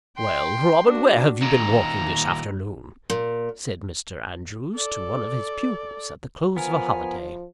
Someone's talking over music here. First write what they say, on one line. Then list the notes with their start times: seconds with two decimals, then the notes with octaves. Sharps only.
"Well, Robert, where have you been walking this afternoon?" said Mr. Andrews to one of his pupils at the close of a holiday.
0.17 G5 C6
0.87 D4 F#4
1.43 D#2 A#2 A#5
3.10 A#2
4.75 A4 D5
6.57 F3 B3 A#4 G#5